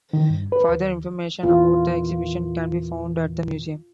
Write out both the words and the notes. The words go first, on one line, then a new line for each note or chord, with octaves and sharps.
Further information about the exhibition can be found at the museum.
D#3
G2
B4
D#2
E2 A#2 E3 F4